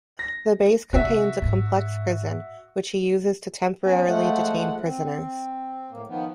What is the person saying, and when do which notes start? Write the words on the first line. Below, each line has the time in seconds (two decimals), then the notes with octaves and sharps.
The base contains a complex prison, which he uses to temporarily detain prisoners.
0.19 A#6
0.93 C3 F#4 E5
1.42 G#2
3.85 B3 C#4
4.07 F3 G#3 A3 F#5
4.83 C4
5.91 A2 A#3
6.09 D#3 F3 B3